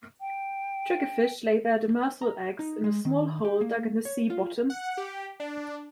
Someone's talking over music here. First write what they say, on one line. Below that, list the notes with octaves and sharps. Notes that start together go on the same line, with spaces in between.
Triggerfish lay their demersal eggs in a small hole dug in the sea bottom.
G5
A#5
D#4
G#3
D#3
G4
A#3
C#5
F4
F#5
G4
D4